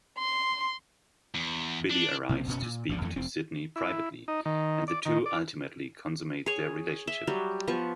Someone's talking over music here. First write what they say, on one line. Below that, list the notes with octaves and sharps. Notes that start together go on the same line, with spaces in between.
Billy arrives to speak to Sidney privately, and the two ultimately consummate their relationship.
C6
E2
D4
B1 C3 A#3 C4
F#1 B2 B3 C#4
A#2
G#1 D#2 D3 F3
F2 E3 G#3 A3
F1 C4
E4
D#4
D#3
D5
D#3
D5
G#4 C#5
E5
F#3 G3
F3 B3 C#6